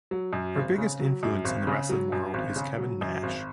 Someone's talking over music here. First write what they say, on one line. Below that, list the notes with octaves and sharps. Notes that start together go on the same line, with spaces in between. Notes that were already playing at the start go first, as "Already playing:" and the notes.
Her biggest influence in the wrestling world is Kevin Nash.
F#3
F#2
G#1
C#3
F#3
F#2
G#1
C#3
F#3
F#2
G#1
C#3
F#3
F#2
G#1